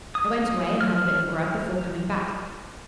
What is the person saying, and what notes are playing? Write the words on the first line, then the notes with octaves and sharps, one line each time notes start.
I went away and had a bit of grub before coming back.
D#6
F6